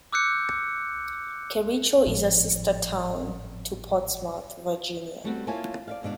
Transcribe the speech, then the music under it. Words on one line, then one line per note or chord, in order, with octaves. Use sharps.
Kericho is a sister town to Portsmouth, Virginia.
D6 E6 F#6 G6 C#7
G#1 A2 F3
G3 A3 B3 C4 F#4
A#3 E4 F4 C#5 G#5 A5
D5 E5 F5
D#2 G#2 B2 D4